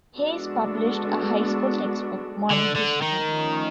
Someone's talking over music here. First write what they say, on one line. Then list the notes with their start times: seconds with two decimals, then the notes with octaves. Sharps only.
Hayes published a high school textbook, Modern History.
0.18 G#3 B3 D4 F#4 A4
2.51 D3
2.75 D3
3.02 D#3
3.28 F3 A3 C#4